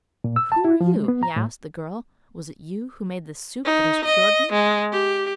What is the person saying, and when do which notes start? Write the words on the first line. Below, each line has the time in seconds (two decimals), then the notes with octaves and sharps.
'Who are you?' he asked the girl; 'was it you who made this soup that has cured me?'
0.24 A#2
0.36 E6
0.52 A5
0.65 E4
0.81 F3
0.96 G#3
1.08 B3
1.23 A#5
1.36 A2
3.65 D#4
4.04 D#5
4.52 G#3
4.92 G4